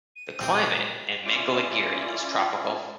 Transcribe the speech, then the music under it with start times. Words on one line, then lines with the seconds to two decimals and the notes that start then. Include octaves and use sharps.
The climate in Mangalagiri is tropical.
0.16 D#7
0.41 A#2 C4 G4 G5
1.24 C#4 E4 F4 D5